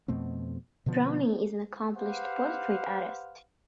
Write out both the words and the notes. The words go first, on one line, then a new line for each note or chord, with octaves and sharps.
Browne is an accomplished portrait artist.
F2 B2 A3 C4
B2 D3 F3 B3
G4 B4 C5 F5 F#5